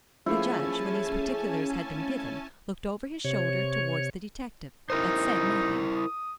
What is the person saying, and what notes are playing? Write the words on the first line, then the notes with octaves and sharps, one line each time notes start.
The Judge, when these particulars had been given, looked over his shoulder towards the detective, but said nothing.
F3 A3 A#3 C#4 E4 G#4 G#5 A5
C3 C#5
D#4 E4 A#4 C5
D#6